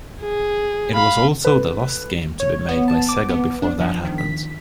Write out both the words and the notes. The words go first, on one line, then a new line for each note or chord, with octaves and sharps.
It was also the last game to be made by Sega before that happened.
G#4
F5 B5
A4 B4
C#5
B3
A5
D6
B3
D4
F3
D#3
B6